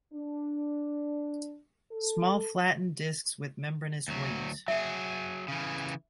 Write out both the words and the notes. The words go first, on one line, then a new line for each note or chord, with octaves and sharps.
Small flatten discs with membranous wings.
D4
A4
D2 F#3
F#3 G#4 E5
C#3 E3